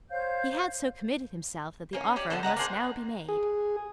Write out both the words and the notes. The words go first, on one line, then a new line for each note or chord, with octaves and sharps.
He had so committed himself that the offer must now be made.
C5 C#5 F5 G6
A#3 C#4
C#4 G4 D5
D3 B3 A4 C5
B4 E5 F#5 A#5
A#3 D4 G#4 C5
G#4